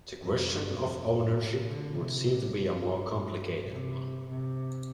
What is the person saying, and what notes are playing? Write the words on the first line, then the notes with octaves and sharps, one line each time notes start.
The question of ownership would seem to be a more complicated one.
F2
G2
F2
G2
A2
D3
C3
G2
C3
C3